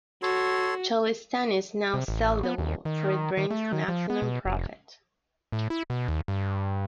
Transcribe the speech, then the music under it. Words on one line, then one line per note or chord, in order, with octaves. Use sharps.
Cholistanis now sell the wool for it brings maximum profit.
F#4 A4 C#5 C6
C3
A1
B3
D#2
D#3
D#3
A3
D#3
F3
B3
B2
F1
A2
E4
B2
D#2
G2